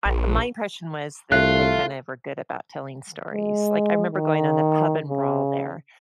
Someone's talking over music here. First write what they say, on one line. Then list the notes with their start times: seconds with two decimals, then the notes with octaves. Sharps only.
uh, my impression was that they kinda were good about telling stories. Like, I remember going on the pub and brawl there,
0.06 A#1
1.32 C2 A3 F4 F#6
3.33 G#3
4.12 D#3
5.09 C#3